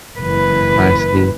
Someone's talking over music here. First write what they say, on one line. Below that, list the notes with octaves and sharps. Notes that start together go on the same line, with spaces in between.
I see.
F#1 E3 B4